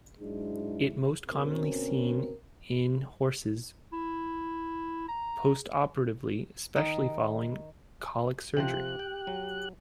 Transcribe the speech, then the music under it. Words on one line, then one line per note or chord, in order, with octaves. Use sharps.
It most commonly seen in horses postoperatively, especially following colic surgery.
G#2 F#3 G#3 D4 E4
D2 B2 C4 C#4 A#4
E4
A#5
D#3
C3 F3 G4 C5 F#6
G5
F#3